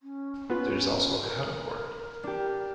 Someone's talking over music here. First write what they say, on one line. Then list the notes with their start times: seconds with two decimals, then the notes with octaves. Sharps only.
There is also a heliport.
0.03 C#4
0.50 B3 C#4 F4 B4
1.23 A#4
1.97 A#4
2.24 D4 G4